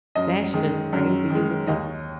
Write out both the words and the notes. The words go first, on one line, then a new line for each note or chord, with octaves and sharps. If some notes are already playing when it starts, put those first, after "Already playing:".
that's just crazy, you would think
F#2 D#5
D#3 G#3
F#2
D#3 G#3
D#2 D#5